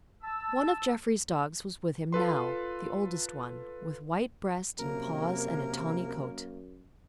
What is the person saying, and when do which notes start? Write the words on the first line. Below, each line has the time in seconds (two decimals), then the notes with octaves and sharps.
One of Jeffrey's dogs was with him now--the oldest one, with white breast and paws and a tawny coat.
0.23 A5 E6
2.13 F4 A4 B4 C6
4.79 F#2 C3 A#3 A#4